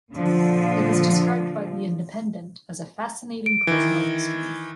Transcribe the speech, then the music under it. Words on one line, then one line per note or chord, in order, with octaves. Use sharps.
It was described by "The Independent" as 'a fascinating cultural history'.
A#2 D3 F3
D7
D#3 E3